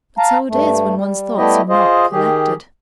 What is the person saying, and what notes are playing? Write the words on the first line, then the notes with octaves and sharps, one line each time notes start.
But so it is when one's thoughts are not collected.
F5 A5 A#5
G2 A3
G3
G3 A3 B3 E4 G4 D#5
F4 G#4 C5 D#5
D#3 G4 G#4